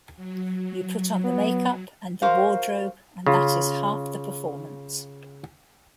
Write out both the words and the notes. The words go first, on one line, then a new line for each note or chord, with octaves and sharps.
You put on the makeup and the wardrobe, and that is half the performance.
F#3
B3
F#4 A#4 C5 F5
C#3 F4